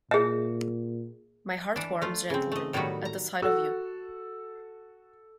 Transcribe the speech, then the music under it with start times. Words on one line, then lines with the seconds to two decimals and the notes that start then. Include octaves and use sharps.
My heart warms, gentlemen, at the sight of you.
0.11 A#2 G#4 E5
1.76 E3 D4
2.02 A3 F4
2.30 C#3 C4
2.52 A3 D#5
2.73 A2 D#3 F#3 G3 B3 F#4
3.05 A#5
3.42 F#4 A4 E6